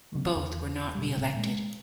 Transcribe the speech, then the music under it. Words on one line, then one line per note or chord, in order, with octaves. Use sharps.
Both were not re-elected.
C3 F#3 B3 C#4
E2
B2 G3
A#2
G#3 A#3